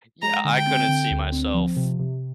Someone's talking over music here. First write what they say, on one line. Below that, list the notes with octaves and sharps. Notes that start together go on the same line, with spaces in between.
Yeah, I couldn't see myself
G#3 A#5
D3
G5
C4
D3
D2
C4
F3
C3
C3